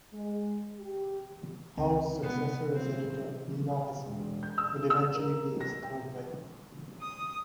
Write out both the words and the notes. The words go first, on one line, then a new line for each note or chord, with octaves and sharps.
Howe's successor as editor, Leila Hassan, would eventually be his third wife.
G#3
G4
C#2 C4
C3 B3
C4
E1
G6
E6
E6
A#4
A#6
G5
D#6